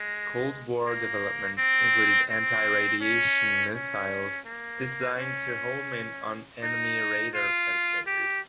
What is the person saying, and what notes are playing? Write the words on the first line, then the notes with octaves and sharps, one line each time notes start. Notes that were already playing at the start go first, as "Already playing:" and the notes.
Cold War developments included anti-radiation missiles designed to home in on enemy radar transmitters.
Already playing: G#3
A#3
C4
C4
C#4
C#4
A#3
C#4
D#4
F4
G4